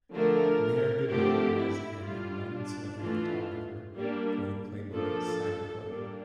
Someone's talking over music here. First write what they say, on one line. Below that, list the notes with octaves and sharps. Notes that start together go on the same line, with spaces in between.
Mayor Goodman was an invited celebrity photographer for the Playboy Cyber Club.
D3 F3 A3 A#4
D3 F3 A3 C4 G4
E4
G3 D4 F4
D4
E3 A3 D4 F4
G3 A#3 D4
F3 A#3 D4 A4
G3 A#3 D4